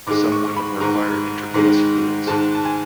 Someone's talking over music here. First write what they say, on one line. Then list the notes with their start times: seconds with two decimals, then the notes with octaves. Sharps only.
Some women require intravenous fluids.
0.07 G#2 D#3 G#3 D6
0.32 C#6
0.57 B5
0.80 G#2 D#3 G#3 A#5
1.54 G#2 D#3 G#3
2.27 G#2 D#3 G#3 A5
2.55 A5
2.65 G#5